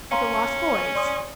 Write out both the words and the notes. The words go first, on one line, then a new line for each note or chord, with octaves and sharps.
"With the lost boys."
C#4 F5 A#5 C6
D5 C6 D#6